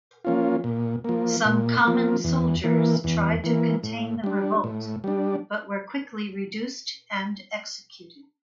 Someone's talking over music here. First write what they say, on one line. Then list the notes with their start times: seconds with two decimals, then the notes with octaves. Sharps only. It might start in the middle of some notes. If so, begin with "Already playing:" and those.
Some common soldiers tried to contain the revolt but were quickly reduced and executed.
0.25 F3 A#3 C#4 F4
0.64 A#2
1.04 F3 A#3
1.45 A#2
1.85 F3 A#3
2.24 E2
2.64 E3 A#3
3.04 E2
3.44 E3 A#3
3.83 A2
4.24 G3 D4
4.64 A2
5.04 G3 D4